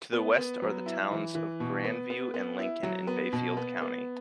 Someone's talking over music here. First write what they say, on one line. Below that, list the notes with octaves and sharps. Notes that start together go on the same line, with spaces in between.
To the west are the towns of Grandview and Lincoln in Bayfield County.
B3
B3
F#3
E4
E3
E3
B2
B3
B3
B3
E4
F#3
B3
B2
B3
B3